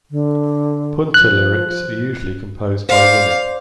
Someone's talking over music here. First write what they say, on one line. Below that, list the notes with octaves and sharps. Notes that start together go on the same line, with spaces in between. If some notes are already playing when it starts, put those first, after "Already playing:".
Punta lyrics are usually composed by the women.
D3
F3 F#6
C5 D5 F5